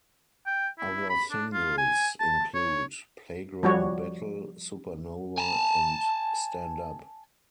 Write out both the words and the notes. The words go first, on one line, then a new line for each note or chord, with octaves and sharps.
Other singles include "Playground Battle", "Supernova" and "Stand Up".
G5
E4
B5
D4
F4
G#5
A5
C#5
F3 G3 F#4 C#5
G#5 A5